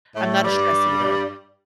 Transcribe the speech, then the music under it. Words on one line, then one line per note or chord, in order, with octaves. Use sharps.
I'm not a stress eater.
A2 A3
G2 G3